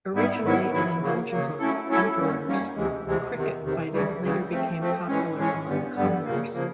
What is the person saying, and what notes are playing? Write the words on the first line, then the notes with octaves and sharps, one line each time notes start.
Originally an indulgence of emperors, cricket fighting later became popular among commoners.
G#2 D#3 G3 B3 E4
G#2 D#3 F#3 B3 E4
G#2 D#3 F#3 B3 E4
C#3 F#3 A#3
C#3 F#3 A#3
F#3 A3 C#4 E4 A4
F#3 A3 C#4 E4 A4
F#2 D#3 G3 A#3 C#4
F#2 D#3 G3 A#3 C#4
D2 C3 E3 G#3
D2 C3 E3 G#3
E2 C3 D#3
E2 C3 D#3
D2 C#3 E3 G3
D2 C#3 E3 G3
F3 A3 C4
F3 A3 C4
A2 E3 G#3 C#4
A2 E3 G#3 C#4
G2 D3 G3 B3
G2 D3 G3 B3
C#3 F3 A#3
C#3 F3 A#3